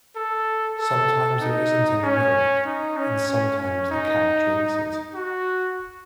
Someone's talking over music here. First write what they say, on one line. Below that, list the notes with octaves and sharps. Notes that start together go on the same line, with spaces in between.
Sometimes there isn't any milk, and sometimes the cat drinks it.
A4
A4
D#4
C#4
D#4
C#4
C#4
C#4
D#4
F#4